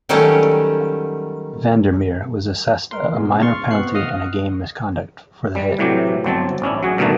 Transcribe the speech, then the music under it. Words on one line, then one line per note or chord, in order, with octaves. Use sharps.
Vandermeer was assessed a minor penalty and a game misconduct for the hit.
D#3 F#3 G3 A3 C#4 G4
A#4 B4 C6
A#2 G#3 B3
G#2 C#3
C6 C#6 F6 A6
B2 B3 C4 C#6 F#6 C7
D#5 F5 F#5 D#6 F6
G3
A2 C3 E3 F#3 G4
G1 F#3 C4 A5
A1 C#4 D4 E4
F#3 F#4 G#4
G2 B2 D3 D#3 A3 A#3